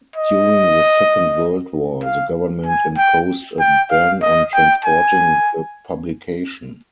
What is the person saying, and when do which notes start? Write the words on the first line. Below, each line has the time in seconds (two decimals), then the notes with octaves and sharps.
During the Second World War the government imposed a ban on transporting the publication.
0.16 D#5
2.04 F5
2.66 G#5
2.97 G5
3.59 G5
3.90 F5
4.21 D#5
4.53 G5
4.85 G#5